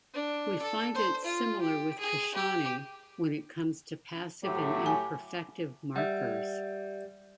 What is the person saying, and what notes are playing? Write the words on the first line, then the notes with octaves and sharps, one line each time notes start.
We find it similar with Kashani, when it comes to passive and imperfective markers.
D4
A4
C5
F4
G4
G#4
G4
A2 F#3 A3 G4
G#5
G3 E5 F#5